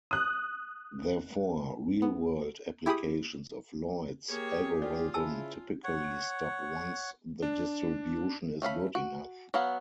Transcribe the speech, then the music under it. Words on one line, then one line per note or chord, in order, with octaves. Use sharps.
Therefore, real-world applications of Lloyd's algorithm typically stop once the distribution is good enough.
D#6 F#6
B3
E4 G4 G#4 B5 D#6
A#3 G4 G#4 C#5
F4 D5
C#3 E4 G#5 A5 E6
C#5 F#5
D4
A3 C#4 F5 B5
F#4
F#3 B3 F#4 F5 F#5